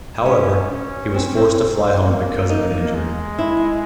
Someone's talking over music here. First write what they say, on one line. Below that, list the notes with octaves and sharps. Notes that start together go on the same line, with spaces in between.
However, he was forced to fly home because of an injury.
B3 C#4
C#4
C4 C#4
C4
C4
A#3
D#4
G#3
E4